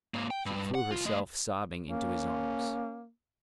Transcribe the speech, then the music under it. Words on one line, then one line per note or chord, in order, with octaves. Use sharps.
She threw herself sobbing into his arms.
G#2 A#3
G5
G2
F#5
C2 F4
A3 D#5
A#3 C#4